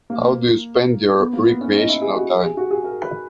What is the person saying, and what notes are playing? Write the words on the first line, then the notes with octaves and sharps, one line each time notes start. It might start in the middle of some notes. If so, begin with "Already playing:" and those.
How do you spend your recreational time?
A#3
B3
A#3
B3
C#4
D#4
E4
G#4
F#4
G#4
F#4
G#4
A#4
B4